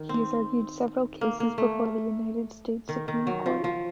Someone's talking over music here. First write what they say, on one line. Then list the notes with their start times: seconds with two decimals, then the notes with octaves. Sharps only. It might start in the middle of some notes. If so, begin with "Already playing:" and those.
He has argued several cases before the United States Supreme Court.
Already playing: D#3
0.09 C4
1.21 A#3
1.40 A#3
1.58 A3
2.89 D#3
3.08 D#3
3.27 F#3
3.46 F3
3.64 F3